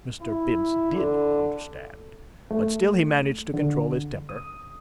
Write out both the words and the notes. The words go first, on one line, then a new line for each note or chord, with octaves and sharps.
Mr. Bince did understand, but still he managed to control his temper.
E4
D3
A3
D3
D#6